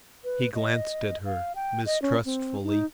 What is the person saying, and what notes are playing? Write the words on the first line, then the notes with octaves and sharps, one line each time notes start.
He glanced at her mistrustfully.
B4
D#5
F5
G5
D#5
C#4
C4
D#4